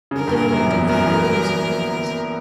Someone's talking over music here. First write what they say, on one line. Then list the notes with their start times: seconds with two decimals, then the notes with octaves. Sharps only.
The Difficulty from ill Use of Names.
0.11 C#3
0.16 D3 A#4
0.27 G2
0.34 A#2
0.52 F#2
0.70 E2
0.89 F#2 A#4
1.06 E3